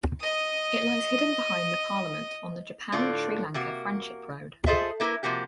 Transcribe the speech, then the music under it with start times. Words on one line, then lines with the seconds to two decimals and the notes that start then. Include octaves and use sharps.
It lies hidden behind the Parliament on the Japan Sri Lanka friendship road.
0.20 D#5 D#6
2.92 A2 D3 F4 D5
3.54 C3 A#3 F#4
4.66 F4 G#4 A4 C5 D#5 E5
5.00 A3 A#3 E4 F#4 A#4 B4
5.23 C3 F3 A#3 F#4 G4